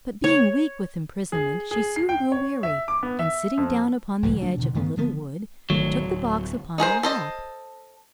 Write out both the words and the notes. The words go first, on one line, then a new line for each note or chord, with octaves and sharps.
But being weak with imprisonment, she soon grew weary, and, sitting down upon the edge of a little wood, took the box upon her lap.
C#5
G#4
G#4
C7
G5
C#5
E5
D6
B3
E5
F2
C2 G#2 E3 F#3
C#3 F#3 A3 D4
B2 D3
G2 D#3 A3 B3
D3 F3 B3
G#1 D#3 F#3 A3
D1
D#4 G#4 A#4 C5
A4 C5 D#5